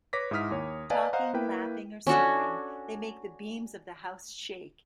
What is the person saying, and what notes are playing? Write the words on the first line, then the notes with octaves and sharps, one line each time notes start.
Talking, laughing, or snoring, they make the beams of the house shake.
B4 C#5 D6 A#6 B6
G#2 E4 E5 D#6 F6 B6
D#2 C#5
B4 D5 D#5 F5 G#5 A5
C5 D#5 F5 F#5 A#5
A#3 E4 B4 G5
C#4 D4 F#4 A4